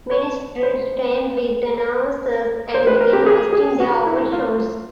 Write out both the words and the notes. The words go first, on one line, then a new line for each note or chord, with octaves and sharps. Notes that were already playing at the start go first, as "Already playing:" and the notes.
Many students trained with announcers and began hosting their own shows.
C#5
C5
C5
B4
A#4
G4
G#4
G#4
F#4
E4
F4